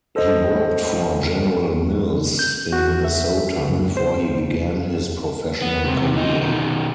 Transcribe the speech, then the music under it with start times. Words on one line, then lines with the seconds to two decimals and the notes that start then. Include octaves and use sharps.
He worked for General Mills in Minnesota before he began his professional career.
0.16 A4 C5 D#5
2.39 G6
2.73 F#4
3.04 E5
3.70 F#2
3.97 C5
5.62 B3
5.85 C#2 C3
6.13 D2 D#4
6.41 B2 D#3